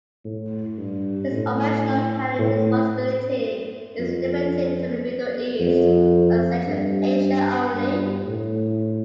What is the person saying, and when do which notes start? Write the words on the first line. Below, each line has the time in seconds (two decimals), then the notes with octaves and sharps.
His operational planning responsibility is limited to the Middle East and Central Asia only.
0.24 A2
0.78 G2
1.31 A2
2.39 A2
3.99 F2
5.59 F2
6.67 G2
7.73 G2
8.26 A2